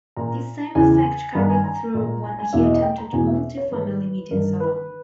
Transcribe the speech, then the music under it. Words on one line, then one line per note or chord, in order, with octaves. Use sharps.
This same effect carried through when he attempted multifamily meetings alone.
A#2 A#5
E2 C#3 E3 G#5
G2 D#3 A#5
G#5
A#5
A#2
G#5
G#5
E2 B2 E5
D#5
D#5
G5
A#5
E2 B2 G#5
E5
C#5
G#2 D#3 B4
G2 D#3 A#4
B4